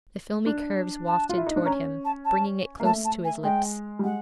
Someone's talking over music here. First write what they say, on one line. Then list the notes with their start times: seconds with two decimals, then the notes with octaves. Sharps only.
The filmy curves wafted toward him, bringing it close to his lips.
0.46 D4
1.06 A5
1.29 F4
1.38 E4
1.47 D#4
1.56 D4
1.65 C#4 A#5
2.05 A5
2.25 A5
2.80 A#3
2.84 A3 A5
3.04 A5
3.24 G#5
3.43 G#3 G5
3.99 G3
4.03 G#3 F#5